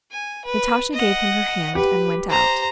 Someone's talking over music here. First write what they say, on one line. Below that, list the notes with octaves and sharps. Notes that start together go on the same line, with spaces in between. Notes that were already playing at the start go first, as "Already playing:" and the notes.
Natasha gave him her hand and went out.
G#5
B4
D#5 F#5
G4 B4
C5 A#5